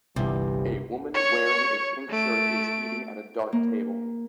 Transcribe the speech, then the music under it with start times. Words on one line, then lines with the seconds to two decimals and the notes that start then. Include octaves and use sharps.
A woman wearing a pink shirt is eating at a dark table.
0.16 G1 C2 C3 E3 G3
1.14 C#5 C#6
2.10 A3 D7
3.52 A#3